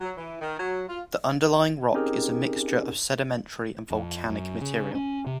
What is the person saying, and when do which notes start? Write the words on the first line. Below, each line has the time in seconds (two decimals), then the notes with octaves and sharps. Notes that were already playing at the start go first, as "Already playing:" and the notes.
The underlying rock is a mixture of sedimentary and volcanic material.
0.01 F#3
0.16 E3
0.39 D#3
0.58 F#3
0.87 F4
1.94 C4 C#4 D#4 G4 G#4 A#4
3.91 F2
4.30 F#2
4.61 C#3
4.95 C#4
5.26 C3